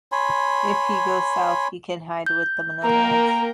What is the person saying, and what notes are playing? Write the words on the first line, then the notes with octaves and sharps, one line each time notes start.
If he goes south, he can hide with the nomads.
C#5 G#5 B5 C6
G6
A#3 A#4 G5 A#5